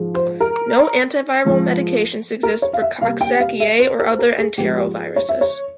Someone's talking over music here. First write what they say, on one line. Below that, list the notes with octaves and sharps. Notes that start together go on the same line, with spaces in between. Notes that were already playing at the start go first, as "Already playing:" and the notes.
No Antiviral medications exist for Coxsackie A or other Enteroviruses.
Already playing: G#2 F3 G#3
C5
A#4
G#2 F3 G#3
A#4
C#5
F5
E5
C3 G3 A#3 F5
G5
F5
E5
C5
A#4
C5
A#4
G#4
G#2 F3 G#3 G4
G4
C#5
E5
C#5